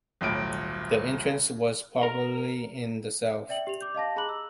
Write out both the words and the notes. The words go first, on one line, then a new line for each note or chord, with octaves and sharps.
The entrance was probably in the south.
D#1 B1 A2 D7
A#4
D5 E5 G5 F#7
G4 F7
D6 G6
D#5 F5 A5 A#6
G#4 A#5 B5 D6 F#6 F#7
E6